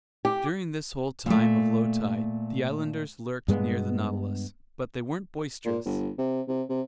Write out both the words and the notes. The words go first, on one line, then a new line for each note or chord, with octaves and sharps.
During this whole time of low tide, the islanders lurked near the Nautilus, but they weren't boisterous.
G4
A#2 A3
G2 G#3 B3
A#2
G1
C3
C3
C3